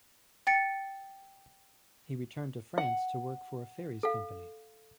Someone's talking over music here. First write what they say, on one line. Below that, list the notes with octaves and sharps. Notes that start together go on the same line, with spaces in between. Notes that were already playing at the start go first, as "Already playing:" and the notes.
He returned to France to work for a ferries company.
G5 A6 C#7
F#5
A4 F5